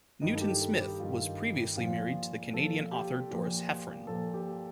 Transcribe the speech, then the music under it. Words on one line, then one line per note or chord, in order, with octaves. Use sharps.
Newton-Smith was previously married to the Canadian author Dorris Heffron.
G2 D#3 D#4
A4
G4
A4
G4
G2 D#3 F4
A#2 F3 F4
A#2 F3 A4
G4
A#2 F3 G4
A#2 F3 A4
G4